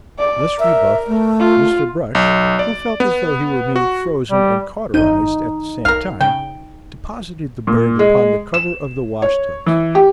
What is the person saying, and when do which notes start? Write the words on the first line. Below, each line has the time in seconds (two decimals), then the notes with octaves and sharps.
Thus rebuffed, Mr. Brush, who felt as though he were being frozen and cauterized at the same time, deposited the berg upon the cover of the wash-tubs.
0.19 D5
0.59 A#4 E5
1.07 A3
1.40 F4
2.15 B1
2.59 D5
3.00 B3
3.76 F#4
4.31 G3
4.94 G1 D#4 G6 D#7
5.85 B1 A#4 F5
6.21 C#3 G5
7.67 A#2
7.99 G#3
8.54 E7
9.22 C#5
9.66 E3
9.95 G4